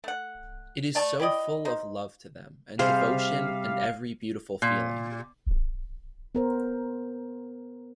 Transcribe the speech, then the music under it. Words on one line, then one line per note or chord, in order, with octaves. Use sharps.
It is so full of love to them and devotion and every beautiful feeling.
A3 F#5
A3 D5 A5
E4 G4 D5 D#5
D#4 C5
C3 G3 G#4 C5 F5
A#2
B3 A#4 C5